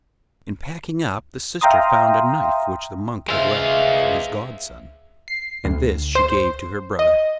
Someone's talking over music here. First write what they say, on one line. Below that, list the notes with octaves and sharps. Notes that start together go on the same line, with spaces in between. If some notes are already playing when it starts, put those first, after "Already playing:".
In packing up, the sister found a knife which the monk had left for his godson, and this she gave to her brother.
E5 F5 G5 A#5 C6 D#6
G#3 C5 E5 F5
C7
D2
C5
D#5